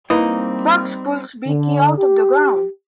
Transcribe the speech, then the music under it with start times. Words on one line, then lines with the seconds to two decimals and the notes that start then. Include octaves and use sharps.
Bugs pulls Beaky out of the ground.
0.10 G3 A#3 C4 D#4 E4 B4 D#6
1.47 D3
1.98 G4